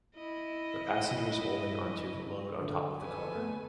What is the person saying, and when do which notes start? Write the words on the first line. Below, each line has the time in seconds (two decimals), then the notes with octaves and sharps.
The passenger is holding onto the load on top of the car.
0.16 E4 D#5
2.61 D3
2.99 A4 B4 G#5
3.36 A3 B3